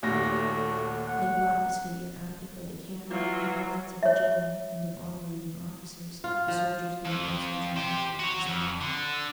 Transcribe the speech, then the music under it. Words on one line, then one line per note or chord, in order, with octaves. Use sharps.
They brought this figure out before the camp, in presence of the general and of all the leading officers, the soldiers being also drawn up around the spot.
D#2 A#2 A3 F#4 A#6
F#5
E3 F#3 F4
C#5 E5
F4
F3
F2
G4 C5
F#4 C#5
F2
D3